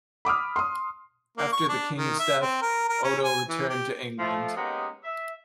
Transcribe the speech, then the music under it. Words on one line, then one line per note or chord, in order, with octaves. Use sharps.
After the king's death, Odo returned to England.
B5 D6 D#6 F6
C6 D#6
A#3
C#6
D4
D#3
E5
C4
A#4
A#4
C#4
G#5
E3
G4
F3 A3
G#3 A#3 B3 C#4 D#4 G4
E5